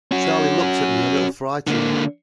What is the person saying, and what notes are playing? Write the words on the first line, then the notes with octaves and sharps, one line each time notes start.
Charley looked at me a little frightened.
C#4 F#4
D3 A#3